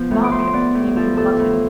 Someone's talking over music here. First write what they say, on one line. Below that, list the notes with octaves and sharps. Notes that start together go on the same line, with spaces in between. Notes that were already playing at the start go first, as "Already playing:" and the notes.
Markets, it seemed, were glutted.
Already playing: F3 B3
A2
D6
A2 C6
B3 D5
A2
F3 A4
A2 A4
A2